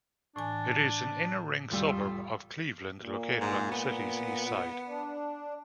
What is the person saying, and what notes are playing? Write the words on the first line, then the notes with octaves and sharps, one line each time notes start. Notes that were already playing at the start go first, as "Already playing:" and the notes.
It is an inner-ring suburb of Cleveland located on the city's east side.
A2 E3 D4 G#5
F1 G3 F4 E6
A#2
G#2
B3
D4